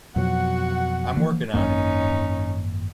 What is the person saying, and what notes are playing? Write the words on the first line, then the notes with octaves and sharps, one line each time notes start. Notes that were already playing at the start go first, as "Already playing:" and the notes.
I'm working on it.
F2 B2 F#3 F#4 F#5
E3 F3 A#3
G#1 F#2 A#3 C#4 D#4